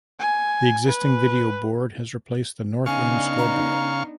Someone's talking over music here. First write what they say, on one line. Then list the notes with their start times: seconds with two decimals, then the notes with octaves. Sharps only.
The existing video board has replaced the north end scoreboard.
0.20 G#5
0.86 B4
2.86 C#3 B3 D4 D#4 F5 G#5 C#6
3.38 A#5